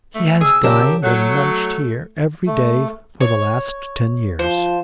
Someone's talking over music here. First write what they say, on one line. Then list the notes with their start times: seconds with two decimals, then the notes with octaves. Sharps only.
'He has dined and lunched here every day for the last ten years.
0.15 A3
0.41 B2 G#4 E6
0.63 C#3 G4 A#4 A5
1.03 F#3 A3
2.47 A3
3.20 C#5
4.39 F3 C5